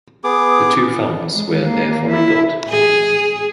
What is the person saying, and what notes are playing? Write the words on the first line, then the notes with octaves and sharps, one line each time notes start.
The two fountains were therefore rebuilt.
B3 G#4 D6
G#3
A#3
E4
G#4